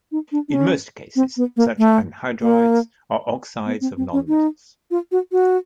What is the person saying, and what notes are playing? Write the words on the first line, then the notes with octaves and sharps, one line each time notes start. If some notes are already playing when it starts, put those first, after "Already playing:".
In most cases, such anhydrides are oxides of nonmetals.
D#4
D4
D4
C#4
C4
B3
A#3
A3
A#3
B3
C4
C4
C#4
D#4
F4
F#4
F#4